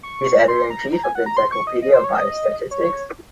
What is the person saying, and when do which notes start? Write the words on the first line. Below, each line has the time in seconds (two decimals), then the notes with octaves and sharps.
He is editor-in-chief of the "Encyclopedia of Biostatistics".
0.03 C#6
0.48 C6
0.70 A#5
0.92 A#5
1.04 G#5
1.15 F#5
1.26 A#5
1.37 C6
1.52 C#6
1.67 D#5
1.82 D#5
1.94 C5
2.04 C#5
2.16 D#5
2.71 C#5